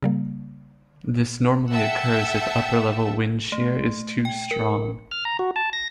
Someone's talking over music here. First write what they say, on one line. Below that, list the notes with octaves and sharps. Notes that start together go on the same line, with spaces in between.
This normally occurs if upper-level wind shear is too strong.
C#3 G3 A#3
E5 F#5 G5 A5 E6
A3
G5
A#4
F6
A#5
F#4
A5
A#6